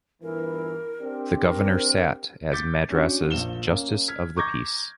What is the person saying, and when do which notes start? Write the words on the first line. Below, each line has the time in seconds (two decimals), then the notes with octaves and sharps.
The Governor sat as Madras's Justice of the Peace.
0.23 G1 E3 A#4
1.01 C4 D4 G4
1.39 A#4
2.52 D6 G6 A6 B6 C#7 D7
2.90 C#4 D4 F#4
3.31 A#1 F3 E7 G7
3.67 A#3 C#4
4.08 F6 G#6 B6
4.36 A#5 C#6 D6 G6 G#6 A#6